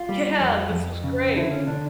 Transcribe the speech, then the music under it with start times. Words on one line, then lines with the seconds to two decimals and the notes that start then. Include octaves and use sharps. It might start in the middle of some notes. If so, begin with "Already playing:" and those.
Yeah, this was great
Already playing: F4
0.09 G3
0.40 F2
0.72 F2
1.04 C#3
1.36 D3 E4
1.51 C#4
1.67 D3 D4